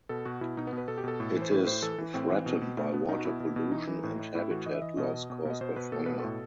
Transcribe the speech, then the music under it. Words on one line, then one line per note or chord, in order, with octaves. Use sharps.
It is threatened by water pollution and habitat loss caused by fire.
B2 A4
B2 F#4
B2 E4
B2 D#4
B3
B2
B4
B2 A4
G4
B2 A4
A2
E3
C5
A2 B4
A2 C5
E3 A4
E3
A2 C4
E3
B2
B2
B2 A3
B2 B3
B2 D#4
F#4
B2 E4
B2
B2
E3 D#4
E3
A2
A2
A2 E4
E3 F#4
E3 D#5
E5
E3 D#5
B2 D#5
B2
B2
B2 D#5
B2 C5
B2 B4
B2 A4
B2 B4
A2 A4